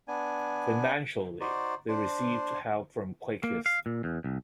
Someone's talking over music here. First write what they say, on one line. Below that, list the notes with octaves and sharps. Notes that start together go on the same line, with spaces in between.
Financially they received help from Quakers.
B3 D4 G#5
D#4 F#4 C5 D5
D4 C5
A#3
F5
A#2
E2
C2